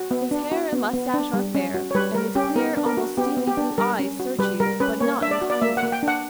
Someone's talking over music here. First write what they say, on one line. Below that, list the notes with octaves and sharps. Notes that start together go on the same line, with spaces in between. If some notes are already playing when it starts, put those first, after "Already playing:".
His hair and mustache are fair, and his clear, almost steely-blue eyes search you, but not unkindly.
Already playing: F#4
B3
D4
F#4
B3
B3
D4
G3
C#4
F#4
C#5
G3 B4
G3 A#4
C#4 G4
B3 A#4
D4
A#4
F#4
B3 G4
B3
G4
D4
G3 A#4
C#4
F#4
G3 B4
G3 A#4
C#4 B4
A#3 C#5
D4 E5
D5
F#4
D5
A#3 E5
F#5
A#3
G5
D4 F#5